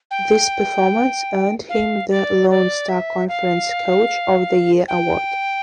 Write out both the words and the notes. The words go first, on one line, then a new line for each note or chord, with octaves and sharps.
This performance earned him the Lone Star Conference Coach of the Year award.
G5
F5
D5
D5
E5
F5
G5